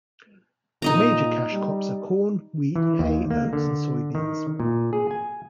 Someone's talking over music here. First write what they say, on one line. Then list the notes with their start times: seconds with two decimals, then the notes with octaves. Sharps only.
The major cash crops are corn, wheat, hay, oats, and soybeans.
0.82 A#2 D#4 D#5 A#5
1.52 G3
2.76 E3
2.99 D#2
3.31 A#3
3.53 D3
4.15 D#3
4.60 A#2
4.93 G#4
5.11 G#5